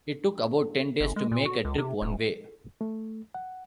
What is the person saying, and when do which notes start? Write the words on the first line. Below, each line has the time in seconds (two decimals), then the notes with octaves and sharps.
It took about ten days to make a trip one way.
1.00 G1
1.16 G#3
1.32 A#2
1.45 F#4
1.65 C#2
1.78 C3
2.02 D#1
2.81 A3
3.35 F#5